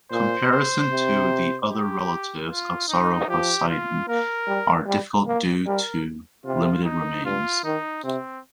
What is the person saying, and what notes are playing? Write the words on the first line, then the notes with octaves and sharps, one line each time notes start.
Comparisons to the other relatives of "Sauroposeidon" are difficult due to limited remains.
A#2 C5
C5
C3
G4
F4
D#4
F3 G4
F4
A#3 A#4
G3
G3
A#3
G3 A#4
C3 F4
D#4
G2 F4
D#3 D#4
C3 C4